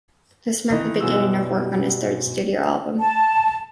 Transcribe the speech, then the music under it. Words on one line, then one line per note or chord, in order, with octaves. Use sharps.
This marked the beginning of work on his third studio album.
D#3 E3 D#4
F#2 B2 G#3 E6
G3
A5